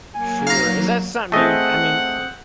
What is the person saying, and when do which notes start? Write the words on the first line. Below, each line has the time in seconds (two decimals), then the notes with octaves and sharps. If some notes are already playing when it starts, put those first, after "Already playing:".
Sure. Is that something you, I mean,
0.14 F#3 A#3 G#5
0.47 D#4 F5 A#5
1.32 A3 C4 G#4 D#5 F#5